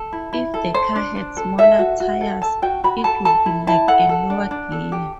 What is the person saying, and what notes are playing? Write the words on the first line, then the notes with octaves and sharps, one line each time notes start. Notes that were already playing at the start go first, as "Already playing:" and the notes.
If the car had smaller tires, it would be like a lower gear.
Already playing: A4
E4
E4
A4
A4 C5
D4
D4
A4
A4 E5
F#4
F#4
A4
A4 A5
F#4 G5
F#4 B5
A4 A5
A4 A5
E4
E4 A5
A4 F#5
A4
D4
D4
A4
G4